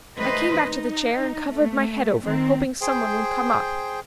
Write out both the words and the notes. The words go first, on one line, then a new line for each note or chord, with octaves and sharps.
"I came back to the chair and covered my head over, hoping some one would come up."
D#3 A3 B4 C5 D#5
D#4
A3
D#3 C4
G#4 C5 G5